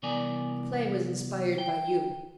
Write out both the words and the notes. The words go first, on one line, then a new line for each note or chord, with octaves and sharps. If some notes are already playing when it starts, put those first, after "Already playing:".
The play was inspired by you.
C2 E3 B3 A#4 D5 G#5
G5